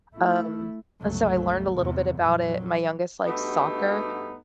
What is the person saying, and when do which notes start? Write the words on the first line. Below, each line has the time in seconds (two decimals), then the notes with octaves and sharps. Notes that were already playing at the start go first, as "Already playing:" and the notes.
um, and so I learned a little bit about it. My youngest likes soccer,
0.14 A3 E4
1.01 G1 C#2 F#3 A3
1.77 E2 G#2 C3 E3
2.18 F2 A#2 F#3
3.26 G2 A3 B3 D#4 F#4 G4